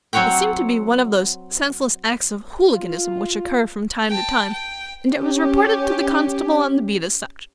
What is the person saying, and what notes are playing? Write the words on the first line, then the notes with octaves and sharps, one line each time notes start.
It seemed to be one of those senseless acts of Hooliganism which occur from time to time, and it was reported to the constable on the beat as such.
F#3 C4 C#5 F#5 G5
F4
G5 A5
G5
C#4 G4